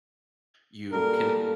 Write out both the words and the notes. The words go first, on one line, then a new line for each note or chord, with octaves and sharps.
you can
A#2 G3 A4 A#4